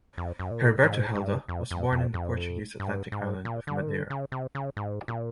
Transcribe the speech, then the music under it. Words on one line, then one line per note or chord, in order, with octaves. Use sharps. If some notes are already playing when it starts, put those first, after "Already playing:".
Herberto Helder was born in the Portuguese Atlantic island of Madeira.
F2
F#2
A#2
A2
G#2
G2
F2
F2
F2
F2
G2
G#2
A#2
D3
D#3
D3
C#3
C3
C#3
G#2
A#2